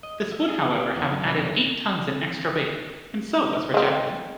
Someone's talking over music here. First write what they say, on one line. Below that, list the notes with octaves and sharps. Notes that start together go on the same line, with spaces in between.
This would however have added eight tons in extra weight, and so was rejected.
D#5
E5
G#4
G4
E2
F#2
C2
B1
G#3 C4